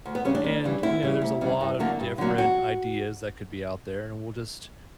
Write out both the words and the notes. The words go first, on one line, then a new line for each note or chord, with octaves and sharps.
and, you know, there's a lot of different ideas that could be out there, and we'll just
D2
B3
C#3 E3 G3 C#4
D4
D2
C#3 E3 G3
D2 E4
C#3 E3 G3
D2
C#3 E3 G3
G2
D3 F#3 A#3
G2
D3 F#3 A#3
G2 F#4